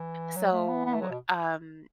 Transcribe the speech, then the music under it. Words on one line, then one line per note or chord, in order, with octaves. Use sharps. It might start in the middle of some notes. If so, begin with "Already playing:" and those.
So, um
Already playing: E3
F#3
A3
B3
B3
A3
F#3
B2